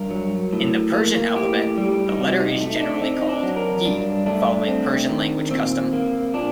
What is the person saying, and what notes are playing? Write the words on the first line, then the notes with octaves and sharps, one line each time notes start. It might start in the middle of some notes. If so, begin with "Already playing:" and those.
In the Persian alphabet, the letter is generally called "ye" following Persian-language custom.
Already playing: G2 A#4
F#3
A2
A#3
A2 G4
G3
D#4
C3 F#4
D#4
A3
D#4
D4
C4 D#4
D#4
D4
F#3
A#4
G2 D4
A3 D4
C4
D#3
A#2 C4
A#3
A#2 D4